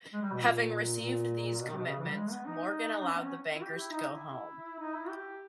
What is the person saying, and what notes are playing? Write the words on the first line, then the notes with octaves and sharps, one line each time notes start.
Having received these commitments, Morgan allowed the bankers to go home.
G#3
G3
B2
A#2
A#2
B2
D#3
B2
C#3
E3
G3
G#3
B3
D#4
C#4
B3
C#4
E4
G4
E4
D#4
E4
D#4
E4
G4